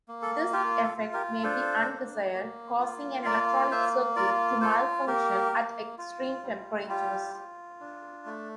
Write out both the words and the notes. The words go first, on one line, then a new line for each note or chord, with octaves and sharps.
This effect may be undesired, causing an electronic circuit to malfunction at extreme temperatures.
A#3
A4
F4 G4 A#4
A4
F4
G4 A#4
D4 A4 C5
A#3
A#3
F4
A#3 A#4 D5
A#3 C5 E5
F4 A#4 D5
F4 A4 C5
A#3 G4 A#4
A#3
F4
G3
F4 G4
F4
D4
A3